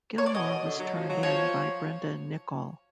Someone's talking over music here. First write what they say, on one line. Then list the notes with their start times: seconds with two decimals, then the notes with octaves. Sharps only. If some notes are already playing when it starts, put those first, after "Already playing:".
Gilmore was turned in by Brenda Nicol.
0.18 C#5
0.26 D5
0.35 B2 D#5
0.49 B2
0.64 D3
0.79 F#3
0.94 F3
1.09 F#3
1.23 F3 C#5